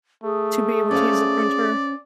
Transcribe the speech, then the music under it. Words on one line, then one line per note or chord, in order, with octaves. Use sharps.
to be able to use the printer.
A3 G#4
C#4 C5 D5 F5